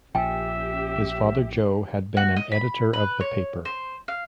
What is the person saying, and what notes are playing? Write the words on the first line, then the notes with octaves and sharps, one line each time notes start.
His father Joe has been an editor of the paper.
A#1 A#2 F3 C#4 G4 E5 G5 G#5
F#4
D#5
B5
B4
C#5
C5
F5